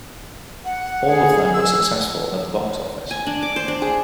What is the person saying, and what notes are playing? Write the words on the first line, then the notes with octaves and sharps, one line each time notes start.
All of them were successful at the box office.
F#5
G#4
E6
G#5
D4
D6
C5
D4
G#4